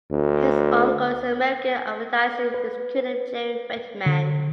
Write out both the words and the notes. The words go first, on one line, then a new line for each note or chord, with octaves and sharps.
His uncle is American advertising executive Jerry Reitman.
D2
B4
D3